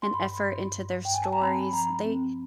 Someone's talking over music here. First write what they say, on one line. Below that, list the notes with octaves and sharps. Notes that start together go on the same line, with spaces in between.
and effort into their stories, they
C6
G2 B5
G2
G2
G2 G5
G#5
A5
A#5
C4 B5
F3 A#5
C4